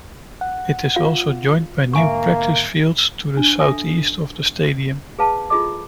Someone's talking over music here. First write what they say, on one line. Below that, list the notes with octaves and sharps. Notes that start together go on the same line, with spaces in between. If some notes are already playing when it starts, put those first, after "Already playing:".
It is also joined by new practice fields to the southeast of the stadium.
F#5
F4 F5
G#2 D3 A#3 E5 G#5 C#6
D4
A4 E5 G#5 D#6
G#4 B4 F5 A5
E4 F4 G#4 A4 D#5 D6